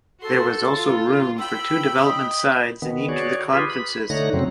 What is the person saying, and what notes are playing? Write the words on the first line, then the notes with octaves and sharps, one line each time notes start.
There was also room for two development sides in each of the conferences.
F#4 A4 C6
F4
G5 B5 E6
D#5 D#6
D#3 B3
F#4 G#4 C#5 D5
F4 G4 G#4 B4
B5
D3 A3 D#4 C#5 F#6 A#6
F#2 C#3 F#3 C4